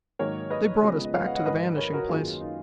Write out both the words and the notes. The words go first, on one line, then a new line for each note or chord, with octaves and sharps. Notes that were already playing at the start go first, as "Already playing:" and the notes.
They brought us back to the Vanishing Place.
G#2 D#3 F#3 A#3 A#4 C#5
B4 D#5
C#3 F3 G#3 B3
D#5
C#5 F5
D#5 F#5
D#5 F#5
G#2 D#3 F#3 B4 D#5
A#4 C#5
F#4 A#4
F#2 D#3 A#3 F4 G#4
D#4